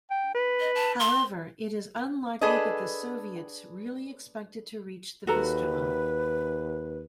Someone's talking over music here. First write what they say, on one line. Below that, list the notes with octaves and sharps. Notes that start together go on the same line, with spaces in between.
However, it is unlikely that the Soviets really expected to reach the Vistula.
G5
B4
D#5
A5
C6
D4 G#4 A4 B4 D#5
D#2 F#4 A4 B4 A#5